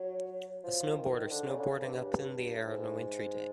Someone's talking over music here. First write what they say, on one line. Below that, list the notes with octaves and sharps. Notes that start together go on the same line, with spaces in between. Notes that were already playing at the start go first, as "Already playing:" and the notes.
A snowboarder snowboarding up in the air on a wintry day.
Already playing: F#3
F3
D#3
D3
C#3
D3
C#3
G2
A2
G#2